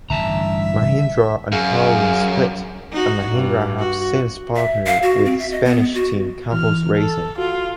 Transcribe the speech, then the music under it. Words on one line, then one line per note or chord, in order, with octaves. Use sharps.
Mahindra and Carlin split, and Mahindra have since partnered with Spanish team Campos Racing.
A1 G2 D3 E3 E5 A5 A#5
F#2 G#4 F5
D#4 F#4
G2
F#4
E5
F5
F#4
C4
E5
D#5
B3
F#4
E3 F6
A4
F4 F#4